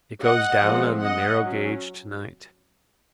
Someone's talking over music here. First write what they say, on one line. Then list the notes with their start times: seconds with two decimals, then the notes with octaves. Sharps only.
It goes down on the narrow-gauge to-night.
0.23 D#5 F#5
0.63 F3 G#3 C4
1.02 D#5 F#5
1.42 F#3 C#4